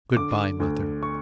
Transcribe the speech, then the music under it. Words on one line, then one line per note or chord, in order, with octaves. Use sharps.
"Good-bye, mother."
D3 D6
D2
C#6